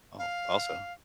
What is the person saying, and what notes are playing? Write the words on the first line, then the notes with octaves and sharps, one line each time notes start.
Oh, also
F5